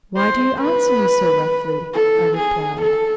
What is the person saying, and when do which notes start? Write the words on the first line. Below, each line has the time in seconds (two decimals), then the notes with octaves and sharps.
"Why do you answer me so roughly?" I replied.
0.17 C5
0.61 B4
1.93 A4
2.37 G#4
2.82 A4